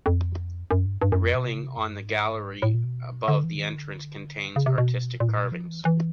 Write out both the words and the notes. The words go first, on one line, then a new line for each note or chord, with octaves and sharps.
The railing on the gallery above the entrance contains artistic carvings.
F2
F#2
G2
G2
F#2
F2
B2
C3
C#3
C3
F#2
G2
G#2
A2
A#2
B2
D3
E3
D3
D#3
D3
C#3
C3
B2
A#2
A2
A#2
B2
F3
E3
E3